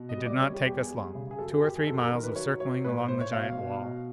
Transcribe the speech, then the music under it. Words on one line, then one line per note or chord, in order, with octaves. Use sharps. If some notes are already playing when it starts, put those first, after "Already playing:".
It did not take us long--two or three miles of circling along the giant wall.
Already playing: B2
D#5
G3
D5
G3 C#5
G4
E2 G4
G#4
G3
C#3
G#4
F#2 A4
G#4
F#2 G4
G#4
F#2 A4
A#4
D#3 A#4
B4
F#3 C#5
F#3 C#5
A2 B4
A2 C5
C#5
B2 F5
B2
B2